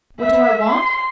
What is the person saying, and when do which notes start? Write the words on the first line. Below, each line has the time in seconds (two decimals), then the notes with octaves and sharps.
What do I want?
0.20 E5
0.70 C6